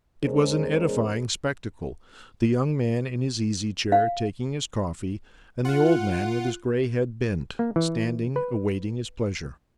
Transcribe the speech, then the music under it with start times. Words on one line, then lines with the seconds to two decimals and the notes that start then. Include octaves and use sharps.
It was an edifying spectacle, the young man in his easy chair taking his coffee, and the old man with his grey head bent, standing awaiting his pleasure.
0.23 E2 G#3 C#4 G#4 A#4 C5
3.92 F5
5.65 F4 F#5
7.59 A#3
7.76 E3
8.36 B4